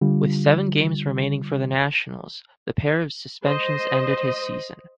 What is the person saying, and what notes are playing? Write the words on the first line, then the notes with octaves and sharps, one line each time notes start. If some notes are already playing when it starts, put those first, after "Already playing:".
With seven games remaining for the Nationals, the pair of suspensions ended his season.
D3 G3 F4
C5 D#5